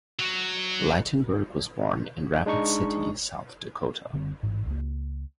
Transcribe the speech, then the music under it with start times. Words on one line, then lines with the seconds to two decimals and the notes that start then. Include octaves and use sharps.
Ligtenberg was born in Rapid City, South Dakota.
0.19 F#3
2.46 G#3 D4 D#4 C#6
4.13 F#1 D3 G3 C4
4.43 A1 G#2
4.67 C#2 A#3